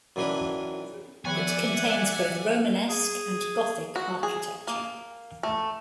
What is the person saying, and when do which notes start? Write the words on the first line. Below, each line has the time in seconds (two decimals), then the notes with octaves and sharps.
It contains both Romanesque and Gothic architecture.
0.16 F#2 D#3 E3 C#4 D4 B4
1.25 D#3 F3 B3 D5 E5 F#5 G#5 D6
2.89 G#4
3.96 F#4
4.23 G#4
4.67 A#3
5.43 A3